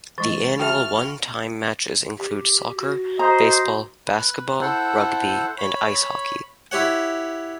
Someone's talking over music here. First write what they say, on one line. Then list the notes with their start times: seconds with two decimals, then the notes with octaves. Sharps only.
The annual one-time matches include soccer, baseball, basketball, rugby, and ice hockey.
0.18 E3 G#3 D#5 C#6 A6
0.60 F#4 E5 G5 A5 B5 F6
2.18 G4
2.78 F#4
3.19 C5 D#5 A#5
4.07 B4
4.61 E4 A4 C5 F#5
5.58 C#5 B5
6.71 E4 G4 C#5 F#5